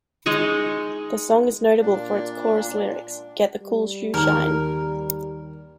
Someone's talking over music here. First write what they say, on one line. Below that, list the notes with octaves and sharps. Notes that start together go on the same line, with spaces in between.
The song is notable for its chorus lyrics 'get the cool shoeshine'.
G#3 D#4 D#5 C#6
A#2 D4
G3
D#2 A#4